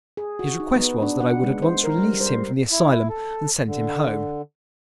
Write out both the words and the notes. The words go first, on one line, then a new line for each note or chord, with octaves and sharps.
His request was that I would at once release him from the asylum and send him home.
G#4
F#4
D#4
B3
D4
F#5
G#3
C5
A#4
G3
C5
E4
A4
D3